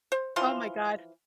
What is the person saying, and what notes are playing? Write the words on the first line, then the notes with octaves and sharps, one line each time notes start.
Oh my god.
C5
E3 F3 F5 C6